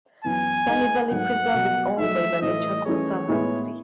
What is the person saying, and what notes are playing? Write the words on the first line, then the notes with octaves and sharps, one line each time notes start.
Sunny Valley Preserve is owned by The Nature Conservancy.
F#2 E3 B3 G#5
G#3 D#4 G#4 D#5
G#2 F#3 A3 F#5
B2 F#3 B3
F#3 A3 D#4 E5
A2 E3 A3 D#5
E3 A3 C#4 G#4 C#5
A2 G#3 B3 E4 G#4